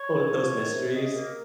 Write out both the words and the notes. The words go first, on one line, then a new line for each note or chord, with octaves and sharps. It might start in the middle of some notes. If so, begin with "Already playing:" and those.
all those mysteries.
Already playing: C#5
A#3
F3
D#3
C3
C3 D#5
A#3